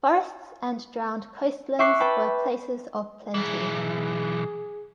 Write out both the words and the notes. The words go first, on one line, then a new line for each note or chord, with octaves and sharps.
Forests and drowned coastlands were places of plenty.
E5 G5 C#6 D6 F#6 C7
B4 G5 A5 B5
B1 E3 G#4